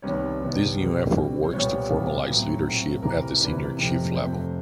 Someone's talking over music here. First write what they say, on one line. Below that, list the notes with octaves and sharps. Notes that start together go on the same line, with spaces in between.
This new effort works to formalize leadership at the senior chief level.
C2 C3 D#3 G3 B3 C#5
C2 C3 D#3 G3 B3
B2 G3 C4
B2 G3 C4
C5
C2 A#2 G3 B3 C#5
C2 A#2 G3 B3
A2 F#3 A3 C4
A2 F#3 A3 C4
E2 C3 E3 A#4
E2 C3 E3 B4
F2 C3 F3 A3
F2 C3 F3 A3 C5